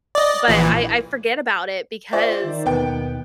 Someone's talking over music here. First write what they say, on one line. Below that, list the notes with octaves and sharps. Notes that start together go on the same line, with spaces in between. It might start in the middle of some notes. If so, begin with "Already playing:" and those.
But I I forget about it because
D5 D#5
A#1 A#2 E3
F4 C5 D5 E5
D#3
D#2 B2 B3 G5